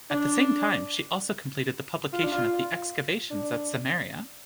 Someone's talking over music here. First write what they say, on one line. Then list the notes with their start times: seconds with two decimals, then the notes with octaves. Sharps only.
At the same time she also completed the publication of the excavations at Samaria.
0.11 D4
2.13 F4
2.23 D4
2.32 F4
3.31 D4